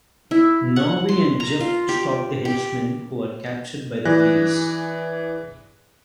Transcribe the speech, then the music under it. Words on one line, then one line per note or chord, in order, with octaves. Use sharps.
Norby and Jeff stop the henchmen who are captured by the police.
E4
F#5
C6
A#5
F4
G4
G4
E3 G#4 D5 F#6 A#6